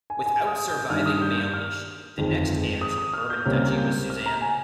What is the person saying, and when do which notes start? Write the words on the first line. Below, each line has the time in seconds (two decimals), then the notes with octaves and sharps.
Without surviving male issue, the next heir to the Bourbon Duchy was Suzanne.
0.10 G#5
0.26 G#5
0.47 D#6
0.68 G6
0.90 G2 D#3 G3 F6
1.06 D#6
1.22 G6
1.38 G6
1.54 F6
2.17 G1 F2 D#3 G#3
2.81 D#6
2.98 D#6
3.14 F6
3.30 G6
3.46 C#2 C3 G3 A#3 C#4 F6
3.78 G6
4.10 F6
4.26 A#5
4.41 G#5